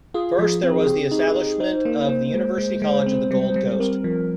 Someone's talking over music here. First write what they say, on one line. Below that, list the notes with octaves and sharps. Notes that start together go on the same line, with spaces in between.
First there was the establishment of the University College of the Gold Coast.
F4 G#4
F3
C4
G4
D#4
D#4
D#4 C5
A#3
A#3
G#3
G#3
G#3
C4
G3
G3
C4 A#4
F3